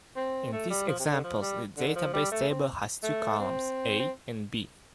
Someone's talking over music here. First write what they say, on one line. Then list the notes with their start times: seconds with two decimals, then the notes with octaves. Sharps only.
In these examples, the database table has two columns, A and B.
0.16 C4
0.52 A3
0.70 G3
0.88 F3
1.00 C3
1.06 D3
1.24 F3
1.41 G3
1.77 D3
1.95 F3
2.13 G3
2.32 A3
2.50 C4
3.03 A3
3.39 C4
3.99 C4